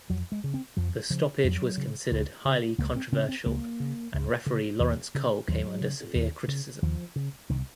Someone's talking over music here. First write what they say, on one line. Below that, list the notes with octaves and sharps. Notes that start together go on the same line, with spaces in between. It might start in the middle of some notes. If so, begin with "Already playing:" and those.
The stoppage was considered highly controversial and referee Laurence Cole came under severe criticism.
F2 F#3
G#3
C#3
C4
F2 F3
C#3 F3
F2 F#3
C#3
C#2
C#3
C#2 A#3
C4
C#3 C4
C4
C#2 A#3
C#3
C#2
C#3
D#2
C#3
D#2 F#3
C#3
D#2
C#3
D#2 F3
C#3
C2 D#3